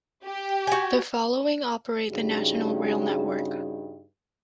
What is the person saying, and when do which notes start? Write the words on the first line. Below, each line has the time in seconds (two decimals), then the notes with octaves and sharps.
The following operate the National Rail network.
0.24 G4
0.67 F#4 G#5
2.10 G2 C#3 G3 D#4 F#4 G#4